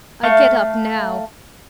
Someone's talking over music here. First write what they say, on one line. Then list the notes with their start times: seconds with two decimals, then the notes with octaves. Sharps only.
I get up now!
0.23 A3 F5 C#6